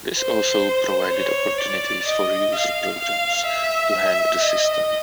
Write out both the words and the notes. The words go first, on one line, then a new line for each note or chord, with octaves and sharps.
This also provided opportunities for user programs to hang the system.
C5
C#5
D5
D#5
F5
F5
E5
D#5